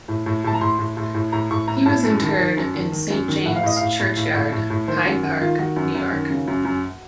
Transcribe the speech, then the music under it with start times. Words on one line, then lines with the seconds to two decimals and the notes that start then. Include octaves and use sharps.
He was interred in Saint James Churchyard, Hyde Park, New York.
0.08 A2
0.26 A2
0.44 A2 A5
0.54 A#5
0.61 A2 C6
0.79 A2
0.97 A2
1.14 A2
1.32 A2 A#5
1.51 A2 C#6
1.68 A2 A#5
1.86 A2 A5
2.03 F#2
2.22 D#3
2.39 D#3
2.57 F#2
2.75 D#3
2.92 D#3
3.10 F#2
3.28 D#3
3.46 A2 F#5
3.56 F5
3.63 A2 D#5
3.76 A2 F5
3.99 A2
4.17 A2
4.34 A2
4.52 A2
4.70 A2
4.88 D#3 C5
5.05 F#2 F#4
5.23 D#3 F#4
5.41 D#3 F4
5.59 D#3 F#4
5.76 F#2
5.95 F#2
6.12 D#3
6.30 C#3
6.47 F#2
6.65 F#2